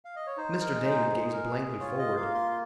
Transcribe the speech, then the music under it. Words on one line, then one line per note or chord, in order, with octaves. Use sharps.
Mr. Damon gazed blankly forward.
F5
D#5
C#5
D#4 C5
A#4
G#3
C5
G#4
A#4
G#4
F4 C#5
D#5
A#3 F5
C6